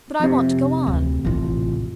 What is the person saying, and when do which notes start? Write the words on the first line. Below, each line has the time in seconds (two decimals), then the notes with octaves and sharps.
"But I want to go on!"
0.20 F2 C3
0.87 D2
1.25 A1 F4